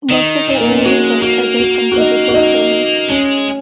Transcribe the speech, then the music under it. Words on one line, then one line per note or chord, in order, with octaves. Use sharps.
Most of her earlier books are based on biblical stories.
D#3 D#4
A#2 D#4
A#3
C#4
D#4
G#3 F#4
A#3 F#4
F#4
F#4
D#4
F#4
D#4
G#3 C#4